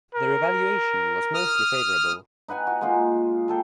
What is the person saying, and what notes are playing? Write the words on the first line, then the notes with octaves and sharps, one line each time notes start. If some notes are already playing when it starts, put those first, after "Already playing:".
Their evaluation was mostly favourable.
A#4
D#6 F6
D#4 B4 F#5 G#5
F#4
G#3 A#3 D#4 F4
G#4 A4 G5